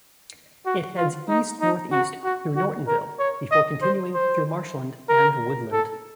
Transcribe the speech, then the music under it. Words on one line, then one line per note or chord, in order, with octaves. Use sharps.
It heads east-northeast through Nortonville before continuing through marshland and woodland.
F#4
F4
D#4
D#4
F#4
F#4
F#4
A#4
C#5
D#5
C5
C5
A#4
A4